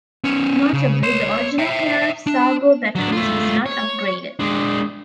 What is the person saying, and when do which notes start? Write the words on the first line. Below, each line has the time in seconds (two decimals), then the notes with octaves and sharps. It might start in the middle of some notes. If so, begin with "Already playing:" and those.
Notably, the original pair of Sargo batteries was not upgraded.
0.24 B3 C#4
0.73 C#3
1.03 C#5 C6
1.59 E5 G5
2.27 D4
2.95 F#3 D4
3.12 A3 F4
3.66 C#5
4.39 G#3 D4